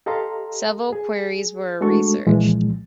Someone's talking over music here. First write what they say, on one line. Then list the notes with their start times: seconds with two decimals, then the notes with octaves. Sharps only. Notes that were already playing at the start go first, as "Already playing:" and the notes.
Several quarries were researched.
0.06 G4 A4 D#5 F5 A#5 C6
0.93 G#4
1.81 G#3 A3 D4 F#4 A4 C#6
2.27 C2 A#2 E3 F3 G#3